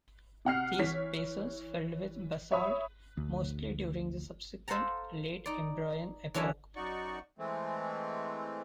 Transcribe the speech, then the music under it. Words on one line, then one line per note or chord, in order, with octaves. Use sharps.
These basins filled with basalt mostly during the subsequent Late Imbrian epoch.
C3 F#5 F6 C7
E3 C#5 B6
C#5 E5 B5 D#6
D2
A4 C5 F5 F#5 A5 A#5
D#4 D5
E3 F#3 C#4 D4 A4 E5
F#2 D#4 F#4 D5 C#6
E3 G#3 A3 C4